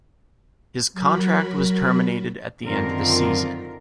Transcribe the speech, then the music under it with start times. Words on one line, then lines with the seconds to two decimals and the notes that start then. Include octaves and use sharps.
His contract was terminated at the end of the season.
0.93 F#3 F#4 A#4 B5
2.63 F#2 D3 D#3 C4 F4 A#4